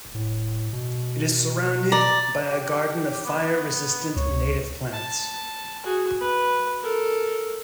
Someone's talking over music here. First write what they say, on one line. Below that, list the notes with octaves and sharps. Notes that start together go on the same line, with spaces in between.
It is surrounded by a garden of fire resistant native plants.
A2
B2
D5 A#5
G4
B3
C#2 C#5
A5
F#4 G#4
B4
A4 A#4